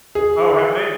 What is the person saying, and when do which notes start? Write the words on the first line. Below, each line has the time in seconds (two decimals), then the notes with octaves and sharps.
Oh, have they
0.15 G#4